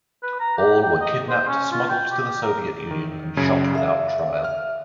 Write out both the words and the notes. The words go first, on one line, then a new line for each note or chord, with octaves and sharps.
All were kidnapped, smuggled to the Soviet Union, and shot without trial.
B4
A#5
G4
G5
D#5
C5
C#4
F4
G5
G4
A#4
D#3
F#2 C#3 G#6
A4 E5 F5
F6